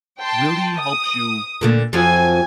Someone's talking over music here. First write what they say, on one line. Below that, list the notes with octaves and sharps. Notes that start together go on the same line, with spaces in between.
really helps you
G5 A5 C6
D#6
A#2 D3 A3
F2 F3 F#3 G#5